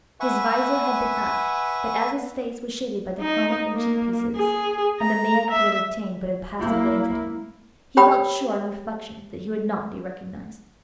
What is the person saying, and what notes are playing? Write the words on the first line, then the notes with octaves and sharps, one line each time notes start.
His visor had been up; but as his face was shaded by the helmet and cheek pieces, and the man could have obtained but a passing glance at him, he felt sure, on reflection, that he would not be recognized.
B4 E5 F#5 G#5 C#6
D#4
A#3
G#4
A#5
E5
A#3 E4
G4 C#5 G5 B5 D#6